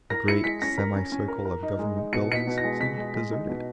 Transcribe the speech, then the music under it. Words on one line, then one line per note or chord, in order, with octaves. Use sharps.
The great semi-circle of Government buildings seemed deserted.
A#4 A#6
E4 C#7
G#3 B6
C#4 A#6
A#4
C#4
C#4
A#4
A#4
D#4
G#3
D#4
B2 C#7
D#4 B6 C#7
B2
A#6
G#3
B2 B6
G#3
G#3
D#4
B2